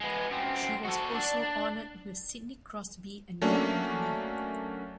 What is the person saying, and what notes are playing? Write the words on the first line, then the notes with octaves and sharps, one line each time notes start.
She was also honored with Sidney Crosby and Dan Rooney.
G#3 B3
F#2 C4
F#4 A4
D4
F#3 A3 A#3 C#4 D4